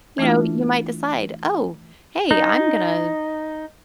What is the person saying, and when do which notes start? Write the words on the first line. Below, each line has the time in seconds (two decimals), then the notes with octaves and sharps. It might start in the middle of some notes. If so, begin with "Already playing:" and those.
you know, you might decide, "Oh, hey, I'm gonna
0.18 E3 A3 D4 E4 F4
2.31 D#4